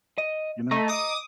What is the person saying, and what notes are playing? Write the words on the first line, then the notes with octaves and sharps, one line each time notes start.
you know?
D#5
A3 D#5 A#5
D6 D#6